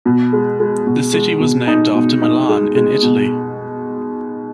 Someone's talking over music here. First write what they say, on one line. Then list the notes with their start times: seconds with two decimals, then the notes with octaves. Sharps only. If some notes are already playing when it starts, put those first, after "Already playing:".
The city was named after Milan, in Italy.
0.05 B2
0.33 G#3
0.60 G#3
0.86 B2
1.13 G#3
1.40 B2
1.67 D#4
1.95 B2
2.22 D#4
2.49 G#3
2.76 G#3
3.03 B2